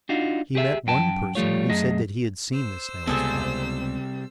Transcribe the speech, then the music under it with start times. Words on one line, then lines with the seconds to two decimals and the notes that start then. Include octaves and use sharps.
He met one person who said that he had seen the snails fall.
0.09 D4 D#4 F4 F#4
0.55 G4 G#4 C5 E5
0.87 F#2 G5 A5
1.35 F3 G3 A3 F4 C#5
1.70 F#2 A3 G#4 D#5
2.53 C5 E6
3.07 C#2 C3 G3 B3 C4 G#4 A4